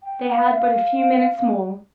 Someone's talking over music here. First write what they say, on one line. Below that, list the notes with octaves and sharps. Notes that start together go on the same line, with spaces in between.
They had but a few minutes more.
G5
F5
E5
F5